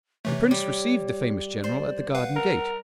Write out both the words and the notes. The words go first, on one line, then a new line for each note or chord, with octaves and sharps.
The prince received the famous general at the garden gate.
C3 E3 A3 C#5
G3
C5 D5
B4 F5 F#5
A#4